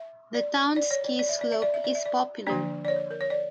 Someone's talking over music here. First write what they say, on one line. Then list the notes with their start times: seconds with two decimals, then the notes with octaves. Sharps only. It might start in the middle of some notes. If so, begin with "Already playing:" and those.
The town's ski slope is popular.
Already playing: E5
0.34 D5
0.76 D5
0.91 C#5
1.04 D5
1.19 D5
1.29 E5
1.41 D5
1.52 E5
1.62 D5
1.74 E5
1.84 D5
1.95 E5
2.06 D5
2.47 D3 F3 A#3 D4 D5
2.85 D5
2.88 C#5
3.11 A#4
3.21 C#5
3.30 D5